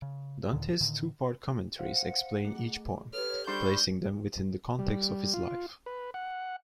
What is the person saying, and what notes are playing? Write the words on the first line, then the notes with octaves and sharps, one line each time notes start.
Dante's two-part commentaries explain each poem, placing them within the context of his life.
C#3
D#2 A#2 D3 D#3
A2 D3 D#3
C5 F5 F#5
A3 G#4
G4 A4 B4 C#5 F6
G3 D4 C5 B5 C#6 G6
G3
F4
B4
F#5